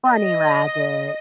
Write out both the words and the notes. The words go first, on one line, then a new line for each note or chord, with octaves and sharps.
bunny rabbits,
D#5